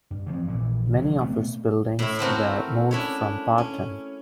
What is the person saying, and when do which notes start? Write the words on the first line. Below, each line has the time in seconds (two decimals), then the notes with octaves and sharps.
Many of its buildings were moved from Parton.
0.11 G2
0.26 E3 F3 G3 C4
0.48 A#1 A#2 E3
0.95 C2 E3 F#3
1.20 B2 A3 B3 C4
1.99 A2 E4
2.19 A3 C4 F#4 A#4
2.91 C#4 D4 E4 C#5
3.58 C#4